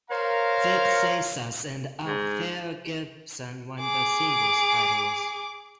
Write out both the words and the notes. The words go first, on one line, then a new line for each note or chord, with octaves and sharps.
Vic Seixas and Althea Gibson won the singles titles.
A#4 C5 C#5 F5 A#5
G#2
G#4 D6